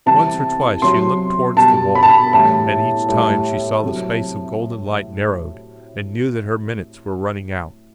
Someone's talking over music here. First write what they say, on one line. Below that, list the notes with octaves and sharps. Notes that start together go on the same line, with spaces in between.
Once or twice she looked towards the wall, and each time she saw the space of golden light narrowed, and knew that her minutes were running out.
C3 E3 G3 A5
C3 F#3 C6
B2 G3 A5
B5
A5
B5
A2 E3 G3 A5
A2 G3
C3 F#3